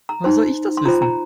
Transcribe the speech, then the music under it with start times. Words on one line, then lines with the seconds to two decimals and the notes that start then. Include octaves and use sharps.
Woher soll ich das wissen?
0.09 A#5
0.24 D#4 C5 C6
0.77 C6
0.86 F4 C5 A#5
1.02 A#5